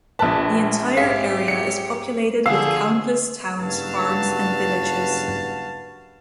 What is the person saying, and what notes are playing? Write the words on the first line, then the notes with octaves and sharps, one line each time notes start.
The entire area is populated with countless towns, farms, and villages.
A#1 B4 A5
G#2 C4 G4 G#4 E5 F5
C#7
D3 F3 G#4 F5 F#5 E6
F#1 G2 F#4 B4 F5 A5